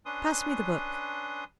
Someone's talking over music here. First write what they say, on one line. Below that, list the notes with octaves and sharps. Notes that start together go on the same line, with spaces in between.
Pass me the book.
C#4 D4 B4 C6 D#6